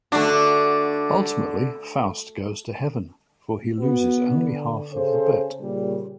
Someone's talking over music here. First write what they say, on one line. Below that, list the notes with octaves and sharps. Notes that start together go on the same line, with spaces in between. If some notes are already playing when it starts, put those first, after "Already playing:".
Ultimately, Faust goes to Heaven, for he loses only half of the bet.
D3 A3 D4 F#4
B3 F#4
D3
C#3 A4 C5
A#2 C#3 G3